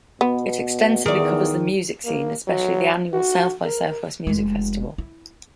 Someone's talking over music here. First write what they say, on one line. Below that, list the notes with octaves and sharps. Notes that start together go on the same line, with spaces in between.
It extensively covers the music scene, especially the annual South by Southwest Music Festival.
B2 B3
E2 D#3 G#4 D5
A#3
F#3
F#4
A#4
F1 G#3
E4